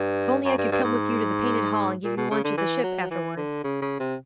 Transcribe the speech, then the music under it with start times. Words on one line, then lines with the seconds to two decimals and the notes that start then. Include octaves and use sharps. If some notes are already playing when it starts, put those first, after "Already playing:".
If only I could come with you to the Painted Hall and give you lunch at the "Ship" afterwards!
Already playing: G2
0.45 F#2
0.58 G2
0.71 G2
0.84 G#2
2.04 A#2
2.17 B2
2.31 C#3
2.44 D3
2.58 E3
2.83 F#3
3.10 E3
3.37 D3
3.64 C#3
3.82 C#3
3.99 C3